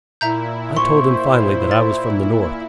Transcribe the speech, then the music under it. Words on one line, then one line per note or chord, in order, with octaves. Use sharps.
I told him finally that I was from the North.
A#2 E4 E5 A#5 G6
C5 C6 C#6
A6